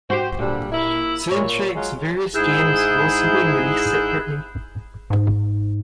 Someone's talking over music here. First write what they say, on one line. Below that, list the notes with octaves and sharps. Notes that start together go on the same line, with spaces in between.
Soundtracks of various games have also been released separately.
F#4 G4 C5
A#2 D3 G3
A#3 E4
A#2 C#5
F#3 G#3 F4
G#2 E4 G#4 E6 F#6 G6
G#2